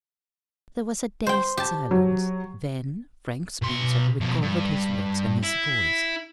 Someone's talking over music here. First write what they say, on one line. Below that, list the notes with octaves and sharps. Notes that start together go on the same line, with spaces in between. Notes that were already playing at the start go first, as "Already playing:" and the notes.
There was a dazed silence; then Frank Spencer recovered his wits and his voice.
C5 G5
G4 A5
F#3
B2 C6
B2 F3
G2
E4